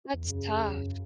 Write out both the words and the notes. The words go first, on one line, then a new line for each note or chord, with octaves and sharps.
that's tough.
E2
F#2 C#3
E2
E2
F#2